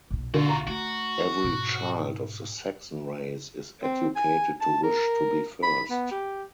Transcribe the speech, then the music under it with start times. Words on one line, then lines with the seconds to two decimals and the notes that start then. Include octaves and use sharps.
Every child of the Saxon race is educated to wish to be first.
0.10 B1 A#2
0.34 D3 F4 F#4
0.49 A#5
0.67 A3 F#4
1.44 G#2 B2
3.83 C4
4.16 G#5
4.61 A5
4.83 A#4
5.63 B5
5.91 B3
6.11 G4